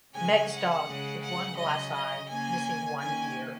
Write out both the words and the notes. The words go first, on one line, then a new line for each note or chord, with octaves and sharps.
Meg's dog, with one glass eye, missing one ear.
C#3 G#3 C#4 G#5
F#5
C#3 G#3 C#4
F#5
C#3 F#3 C#4 D#5
D#5
C#3 A#3 C#4 G#5
D#3 A#3 C#4 G#5